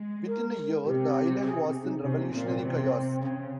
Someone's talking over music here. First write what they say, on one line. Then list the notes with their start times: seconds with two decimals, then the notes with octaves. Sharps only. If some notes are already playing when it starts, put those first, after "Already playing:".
Within a year the island was in revolutionary chaos.
Already playing: G#3
0.27 A#4
0.85 C3 G4
1.44 G#4
1.83 D#4
2.03 C3 C#4
2.17 A#3
2.32 A#2 C4
2.46 C4
2.61 C3 C4
3.19 C#3